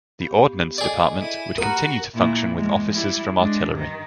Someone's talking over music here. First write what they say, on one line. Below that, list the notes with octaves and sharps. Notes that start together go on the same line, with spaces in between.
The Ordnance Department would continue to function with officers from artillery.
B3 G4 F5
G#4 A4 D5 D#5 G#5
E4 D#7
F#4 G4 A#4 F#5 B5 D#6
A#2 E4
E2 G#3
G3 E4
G#3 D4
G2 D#3